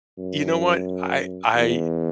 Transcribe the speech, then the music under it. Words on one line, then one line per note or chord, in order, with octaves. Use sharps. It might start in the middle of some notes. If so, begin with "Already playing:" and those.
You know what? I I i
F#2
E2